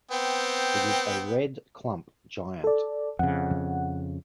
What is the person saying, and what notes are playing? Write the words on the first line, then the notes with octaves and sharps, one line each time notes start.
It is a red clump giant.
B3 C4 G5
A4 D5
F2 C#3 F#5